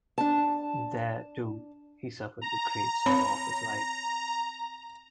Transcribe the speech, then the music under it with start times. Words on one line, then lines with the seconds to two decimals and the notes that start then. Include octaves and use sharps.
There, too, he suffered the great sorrow of his life.
0.18 D4 A5
2.41 A#5
3.06 C4 C#5 B5